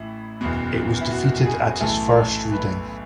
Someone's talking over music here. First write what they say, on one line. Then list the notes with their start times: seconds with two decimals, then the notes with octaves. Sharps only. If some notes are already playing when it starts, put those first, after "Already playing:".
It was defeated at its first reading.
Already playing: A1 A2 E4
0.41 F#1 E2 B2
1.01 E4
1.11 F#4
1.46 G#4
1.80 B1 A2 E3 A4
2.52 B4